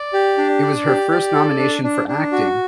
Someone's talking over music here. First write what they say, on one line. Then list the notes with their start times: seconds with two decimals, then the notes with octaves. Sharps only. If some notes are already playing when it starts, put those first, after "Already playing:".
It was her first nomination for acting.
Already playing: D5
0.13 G4
0.38 D4
0.62 D5
0.87 G4
1.11 D5
1.35 A4
1.59 D4
1.84 D4
2.08 D4
2.32 F#4